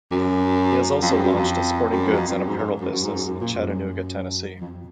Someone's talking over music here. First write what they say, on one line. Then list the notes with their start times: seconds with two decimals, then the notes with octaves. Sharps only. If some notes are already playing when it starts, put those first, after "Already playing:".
He has also launched a sporting goods and apparel business in Chattanooga, Tennessee.
0.11 F#2
1.01 F2
1.13 F#2
1.23 F#2
1.35 F2
1.91 F#2
2.13 F2
2.28 F2
2.35 F#2
2.47 G#2
2.58 G#2
2.80 F#2
2.92 F#2
3.03 G#2
3.14 F#2
3.26 F#2
3.40 A#2
3.55 F#2
4.61 F2